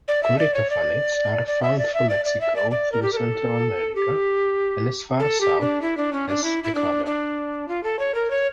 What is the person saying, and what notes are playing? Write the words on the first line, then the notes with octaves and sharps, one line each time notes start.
Corytophanids are found from Mexico, through Central America, and as far south as Ecuador.
D5
E5
D5
C#5
D5
D5
E5
D5
E5
D5
D5
E5
D5
D5
A#4
G4
A#4
A4
G4
A4
G4
D4
E4
D4
C#4
D4
E4
E4
D4
D4
F4
A4
C#5
A#4
C#5